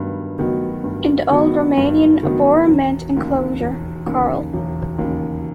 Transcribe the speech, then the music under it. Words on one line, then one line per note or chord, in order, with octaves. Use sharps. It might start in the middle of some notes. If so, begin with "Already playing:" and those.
In old Romanian "obor" meant "enclosure, corral".
Already playing: G2 D#3 F#3 B3
D#3 F#3 B3
G2
D#3 F#3 B3
G2
D#3 F#3 B3
E1
D#2 C#3
E1
D#2 C#3
E1
D#2 C#3